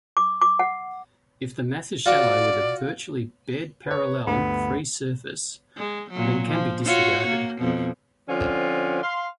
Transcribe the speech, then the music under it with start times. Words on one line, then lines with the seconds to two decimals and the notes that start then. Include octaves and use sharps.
If the mass is shallow with a virtually bed-parallel free-surface, then can be disregarded.
0.17 D6
0.41 D6
0.59 F#5
2.06 F4 F#4 D5
3.86 B4 C#5
4.27 D2 G2 B3
5.78 G#3
6.11 A#2 F#3
6.51 F3
6.85 F4 F#4 C#5
7.27 A#3
7.59 F2 B2
8.29 D3 F3 C4 C#4 F4
9.03 F5 C6